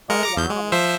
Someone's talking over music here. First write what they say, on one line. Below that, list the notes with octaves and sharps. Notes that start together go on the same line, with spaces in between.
Oh, wow.
G#3 A#4 C#7
A#5 D6 C#7
E2 G6
G#3
F3 C5 E5